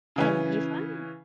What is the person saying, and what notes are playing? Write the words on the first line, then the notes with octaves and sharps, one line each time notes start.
And you find
C#3 E3 C#4